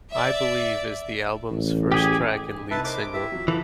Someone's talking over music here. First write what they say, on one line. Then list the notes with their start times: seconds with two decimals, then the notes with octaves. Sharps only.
"I Believe" is the album's first track and lead single.
0.10 D5 E5
1.51 A1
1.92 G4 G#4 G#5
2.71 C2 D#4 B4 E5 A5
2.85 A#4 C5 D#5 D6
3.13 E4 G4 E5
3.32 F3 F#3
3.48 E3 F4 A4 E5